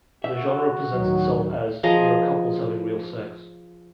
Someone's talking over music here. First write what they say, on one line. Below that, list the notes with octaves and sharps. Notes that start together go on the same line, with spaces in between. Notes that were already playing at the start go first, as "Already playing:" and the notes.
The genre presents itself as "real couples having real sex".
F#4 E5
D2 A2 D#3 F#3
F3 G#4 D#5 A#5